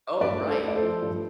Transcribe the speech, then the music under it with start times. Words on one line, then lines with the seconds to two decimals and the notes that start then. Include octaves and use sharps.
Oh, right.
0.21 G2 B4 D5
0.41 A3
0.48 A4 C5
0.61 A3
0.68 D5
0.75 A4 C5
0.82 F3
1.03 G2